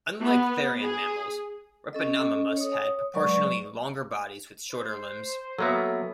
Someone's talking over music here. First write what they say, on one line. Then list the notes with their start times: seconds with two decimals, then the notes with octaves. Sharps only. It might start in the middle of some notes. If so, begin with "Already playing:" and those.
Unlike therian mammals, "Repenomamus" had proportionally longer bodies with shorter limbs.
0.23 B3
0.83 G#4
1.93 C#4 A4 D#5
2.57 C#5 D#6
3.14 F#3 G#3 B4 D5 C#6
4.70 C5
5.59 F#3 A#3 B3 A4 E5